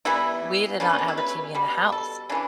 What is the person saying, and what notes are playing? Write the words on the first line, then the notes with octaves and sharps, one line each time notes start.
we did not have a TV in the house.
E3 G3 B3 E4
C#3 G3 B3 D4
C#4
D4
E4
B4
B2 G3 B3
A4
C#3 E3 D4